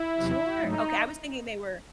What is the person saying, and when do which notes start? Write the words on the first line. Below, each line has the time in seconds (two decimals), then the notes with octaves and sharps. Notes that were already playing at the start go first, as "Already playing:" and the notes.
Sure, okay, I was thinking they were
Already playing: E4
0.18 E2 C3 F#3
0.59 G#2 F#3 A3 D#4